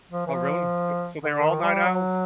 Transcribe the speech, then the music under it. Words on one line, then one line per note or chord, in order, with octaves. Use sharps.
Oh, really? S So they're all night owls?
F3
E3
F3
D3
D#3
G3
F#3